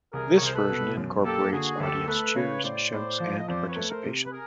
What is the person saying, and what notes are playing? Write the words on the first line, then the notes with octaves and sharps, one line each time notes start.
This version incorporates audience cheers, shouts, and participation.
C2 G#4 A#4
C#5
C2 C5
A4 B4
B2
F#2
A#3 G4 A4
D3 F#4 G#4
D2 G4 A4
A3 A4 B4
C#3 B4 C#5
A2 C5 D5
A2
F3
D#5
F2 C5 D5
B4 C#5
A3
A#4 C5
C3
B4
G#4 A#4